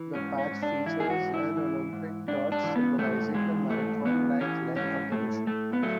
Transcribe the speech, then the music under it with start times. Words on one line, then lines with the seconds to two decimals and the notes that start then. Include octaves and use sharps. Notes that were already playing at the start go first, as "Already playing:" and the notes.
The patch features an Olympic torch, symbolizing the marathon-like length of the mission.
Already playing: E3
0.15 G#2 C#4
0.38 C#4
0.51 G#2
0.63 D4
0.86 E3 E4
1.00 G#4
1.10 F#4
1.21 G#2
1.34 E4
1.57 E3
1.93 G#2
2.28 G#2 D4
2.52 D4
2.64 E3
2.76 B3
2.98 G#2 A3
3.34 E3 G#3
3.69 G#2 A3
4.05 E3 B3
4.41 E3 C#4
4.76 G#2 C#4
5.12 A2 A3
5.47 A2 A3
5.73 B3
5.82 F#3 A3